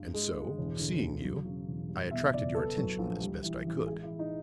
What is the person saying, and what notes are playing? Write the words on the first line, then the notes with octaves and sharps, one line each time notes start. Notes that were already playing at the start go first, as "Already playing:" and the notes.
"And so, seeing you, I attracted your attention as best I could."
Already playing: G2
G#3
G2
E1
D3
E1
F#3
C#3
E1
G3
B2 E5
F#1 D5
B3 A4
F#3
A#1
G3
E3
A1
G#3 G#4
E4
E3
D#4